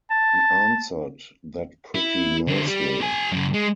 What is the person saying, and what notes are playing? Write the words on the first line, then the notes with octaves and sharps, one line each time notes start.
He answered that pretty nicely.
A5
E4
D3 C4
G3
G4 G#5
F#2 C#3
G#3